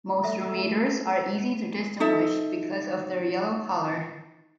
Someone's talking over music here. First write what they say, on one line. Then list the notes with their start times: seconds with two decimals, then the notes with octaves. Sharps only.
Most Dromaders are easy to distinguish because of their yellow color.
0.24 A3 A4 E5
2.00 D#4 A4 E5